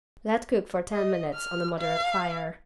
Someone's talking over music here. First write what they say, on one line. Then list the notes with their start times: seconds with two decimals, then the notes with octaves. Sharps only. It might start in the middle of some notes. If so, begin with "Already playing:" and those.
Let cook for ten minutes on a moderate fire.
0.92 D#5
1.34 F6
1.78 F5